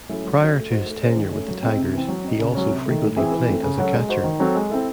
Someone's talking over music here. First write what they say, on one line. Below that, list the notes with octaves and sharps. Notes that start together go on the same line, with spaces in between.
Prior to his tenure with the Tigers, he also frequently played as a catcher.
F#3 A3 C#4 E4
F#3
C#4 F#4
A3
D#4 F#4 C5
A3
C#4 G#4 C5
D#3
A3 C#4
F#3
C4 D#4 G#4
C3
E3 C4
F#3
C4 D#4
C#3
F#3 C#4
C3
D#3 A3
A2
E3 C4 E4 G#4
E3
A3 C4
C#3
F#3 C#4 F#4 A4
G#3
D#4 F#4 C5
D#3
F#3 C4 F#4 A4
G#3
C4 E4 A4